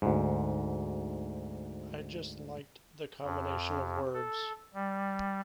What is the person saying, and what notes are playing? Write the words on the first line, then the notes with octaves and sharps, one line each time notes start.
I just liked the combination of words...
D2 G#2
F2
A4
G3